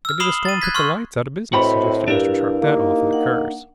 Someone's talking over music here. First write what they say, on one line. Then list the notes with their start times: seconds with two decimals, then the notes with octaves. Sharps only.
"Maybe the storm put the lights out of business," suggested Mr. Sharp. "That often occurs."
0.05 E6 F6
0.20 B5 D#6 C7 E7 F#7 G7
0.45 A6 D#7
0.62 F#6 G#6 B6
0.75 C6 C#6 F6
1.53 A2 C4 F#4 B4 D#5 G5 B5
2.08 G2 D4 E4 G4 A#4 F5
2.62 A#3 D#4
3.13 F#5